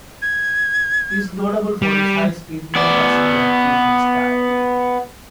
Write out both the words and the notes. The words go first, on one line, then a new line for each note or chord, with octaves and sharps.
He is notable for his high-speed neoclassical and fusion style.
G#6
G3
B3 D5